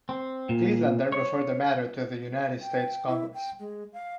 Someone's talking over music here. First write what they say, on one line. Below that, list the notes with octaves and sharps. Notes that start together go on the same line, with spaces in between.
Cleveland then referred the matter to the United States Congress.
C4
A#2
C#5
G5
E4
G5
G#3
F5